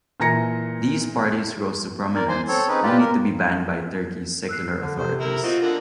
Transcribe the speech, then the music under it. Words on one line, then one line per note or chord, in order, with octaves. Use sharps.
These parties rose to prominence only to be banned by Turkey's secular authorities.
A#2 E3 G#5 A#5 A#6 C#7
A#4 D5
C5 G#5 C6
C4 A4 C#5
C4 C#4 D#4 G#4 B4
F4 G4 B4 D5
A#4
E6 F#6 C7
D3
C3 A4 C5
E4 A#4
C4 F4 F#4 D#5
D3 A#3 F#5